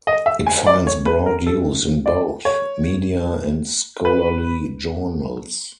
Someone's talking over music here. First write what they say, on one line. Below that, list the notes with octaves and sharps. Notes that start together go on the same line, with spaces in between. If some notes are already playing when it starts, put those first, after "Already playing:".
It finds broad use in both media and scholarly journals.
D#5
E5
G#5
D5
C#5
B4
A#4
A4
D5
C#5
B4